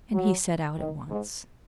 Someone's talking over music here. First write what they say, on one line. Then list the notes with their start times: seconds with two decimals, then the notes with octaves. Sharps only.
And he set out at once.
0.13 F#3
0.78 D#3
1.09 G#2